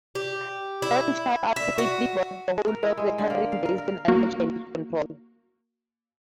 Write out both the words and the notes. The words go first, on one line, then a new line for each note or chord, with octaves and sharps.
Ban Chao ultimately brought the whole of the Tarim Basin under Chinese control.
G4
E4
E5
F#4
A#4
E4
G#3
D3
A#3
F5
A#4
A#4
A#3 F#4